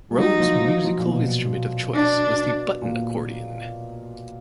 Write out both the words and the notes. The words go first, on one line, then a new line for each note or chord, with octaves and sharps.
Rhodes musical instrument of choice was the button accordion.
G3
F#3 D#4
F3
F3
F3
A#2
B2
D4
A#2